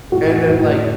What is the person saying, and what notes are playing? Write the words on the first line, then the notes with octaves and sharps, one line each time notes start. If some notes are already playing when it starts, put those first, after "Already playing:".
and then, like
A2 F#4
A2